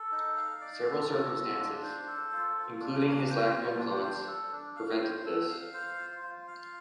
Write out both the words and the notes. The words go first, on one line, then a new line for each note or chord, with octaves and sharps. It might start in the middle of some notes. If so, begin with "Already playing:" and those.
Several circumstances, including his lack of influence, prevented this.
Already playing: A4
D#4
F5
D5
A4
A4
F4
D4
C5
A4
F4
F4
D4
A#3
C5
F4
D4
C5
A4
D4
F5
C5
A4
F5
C5
F4
F4
F5